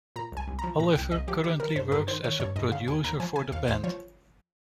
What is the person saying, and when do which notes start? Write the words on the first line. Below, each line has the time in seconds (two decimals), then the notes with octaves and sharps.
Oliver currently works as a producer for the band.
0.16 A#2 A#5
0.32 C2 G#5
0.48 C2
0.59 A#5
0.64 F3
0.79 A#2 A#5
0.95 C2 G5
1.12 C2 D#5
1.28 F3 G4
1.44 D#3 G4
1.60 D#3 A#4
1.76 G2 C5
1.92 G2 A#4
2.08 D#3 C5
2.24 D#3 C#5
2.40 G2 C#5
2.56 G2 D#5
2.72 C#3 F5
2.88 D#2 G#5
3.04 D#2 A#5
3.20 F3 G#5
3.36 C#3 G#5
3.52 D#2 F5
3.68 D#2 C5
3.84 F3 C#5